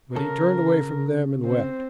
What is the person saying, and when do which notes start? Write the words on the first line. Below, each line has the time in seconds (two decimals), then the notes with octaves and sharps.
But he turned away from them and wept.
0.16 C#3 A4 A#4
1.45 C4 C5